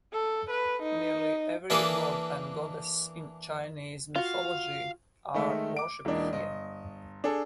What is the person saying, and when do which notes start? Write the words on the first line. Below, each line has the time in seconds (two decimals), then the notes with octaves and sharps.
Nearly every god and goddess in Chinese Mythology are worshipped here.
0.13 A4
0.51 B4
0.83 D#4
1.70 E3 A#3 D4 G#4 A4 B4
4.16 F4 F#4 F5
5.34 D#3 G#3 A3 E5
5.77 D6 D7
6.05 E1 E3 A#3 D4 D#4
6.33 G1 D#5
7.24 D4 G#4 A4